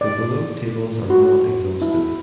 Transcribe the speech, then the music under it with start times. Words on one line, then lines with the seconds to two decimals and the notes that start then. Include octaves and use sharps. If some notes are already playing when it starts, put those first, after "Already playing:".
The below tables are not exhaustive.
0.01 D5
1.10 F#4
1.82 E4